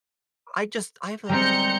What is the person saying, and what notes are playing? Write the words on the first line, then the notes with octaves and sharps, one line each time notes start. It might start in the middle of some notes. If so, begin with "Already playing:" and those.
I just I have a
G3 G#3 C4 A#5 G6 C#7